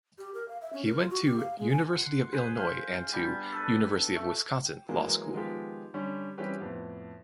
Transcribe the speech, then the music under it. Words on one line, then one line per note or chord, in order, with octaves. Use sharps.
He went to University of Illinois and to University of Wisconsin Law School.
G4
A#4
F5
E5
C#4
A#4
F4
F#4
G4
F5
G#3
G#5
F#5 C6
G#4 B4 C5
C5 F5
G3 B3 D4 G4
A4 B4
A3
G5
E3 F#3 G#3 A#3
D#3 F3 G#3 B3 F4 G4
D3 G3 C#4
E3 G3 C4 C#4 G4 B4
F2 A2 B3